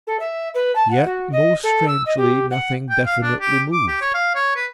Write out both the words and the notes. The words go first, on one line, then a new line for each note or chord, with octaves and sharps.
Yet, most strangely, nothing definitely moved.
A4
E5
B4
A5
F#5
F#4
D#5
A4
E6
D#5
G4
F#5
G5
F5
D4
G4
D6
G4
C#5
F5
C#5
B4